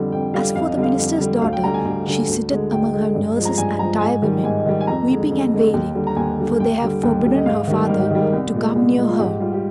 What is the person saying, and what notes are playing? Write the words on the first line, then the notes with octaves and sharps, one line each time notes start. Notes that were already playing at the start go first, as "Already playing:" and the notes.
As for the Minister's daughter she sitteth among her nurses and tirewomen, weeping and wailing; for they have forbidden her father to come near her.
Already playing: F2 D3 G3
F2 G5
D3 G3 F5
F2 F5
D#5
D3 G3
F5
F2
D3 G3
D2 F5
G5
D3 G3 A#5
G#5
D2
D3 G3
D2
D3 G#3
D2 G5
D3 G#3
G2
F3 G#3
A#5
G2 G#5
F3 G#3 A#5
G#2 G#5
D#3 G3
G#2 G#5
D#3 G3
G#5
F2 A#5
D3 G#3
F2
D3 G#3
D#2
D3 G3
A#5
D#2 G#5
D3 G3
D#2 G5
D3 G3
D#2
D3 G3
D#5
G#2 F5
D#3 G3
G#2 A#4
G4
D#3 G3 G#4
A#4
C2
A#2 G#3
C2
A#2 G#3
F4
G#2 G4
G3 F4
G4